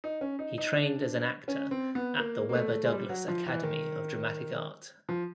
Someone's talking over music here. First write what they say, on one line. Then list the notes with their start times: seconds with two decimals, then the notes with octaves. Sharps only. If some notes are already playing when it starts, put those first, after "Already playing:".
He trained as an actor at the Webber Douglas Academy of Dramatic Art.
0.04 D#4
0.21 C#4
0.39 D#4
0.58 D#4
0.76 D4
1.48 C#4
1.71 C4
1.95 B3
2.20 A#3
2.49 A#3
2.55 A3
2.85 G#3
2.92 G3
3.09 F#3
3.28 F3
3.46 E3
3.63 D#3
5.09 F3